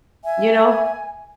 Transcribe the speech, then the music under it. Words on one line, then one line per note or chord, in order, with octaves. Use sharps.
You know?
E5 G#5